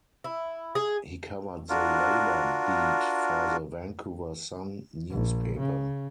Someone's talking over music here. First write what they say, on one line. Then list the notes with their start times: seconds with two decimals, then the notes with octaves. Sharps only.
He covered the labour beat for the "Vancouver Sun" newspaper.
0.24 E4
0.75 G#4
1.69 D4 F4 F#4 A#4
5.10 A#1
5.59 C#3